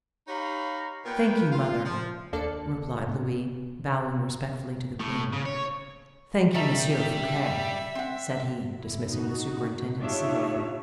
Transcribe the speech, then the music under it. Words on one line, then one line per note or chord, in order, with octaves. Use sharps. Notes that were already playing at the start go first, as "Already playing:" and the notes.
"Thank you, mother," replied Louis, bowing respectfully to the queen. "Thank you Monsieur, Fouquet," said he, dismissing the superintendent civilly.
D#4 G4 C#5 F5 A#5 B5
A#2 B3 A#4 B4 G5
F4
F3
D#2 A#3 D4 A4 D5 C#7
A2
C#3
C#5
D#3 G3 E5 A5
C4 F#5
E4
D#4 F#4
D4 D#4 F4 G4 C#5 E5